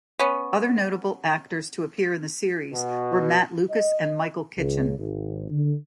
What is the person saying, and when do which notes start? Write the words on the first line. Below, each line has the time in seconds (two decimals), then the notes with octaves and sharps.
Other notable actors to appear in the series were Matt Lucas and Michael Kitchen.
0.19 B3 C#4
2.72 B2
3.70 D#5
4.57 C#2
4.98 G#1
5.50 D3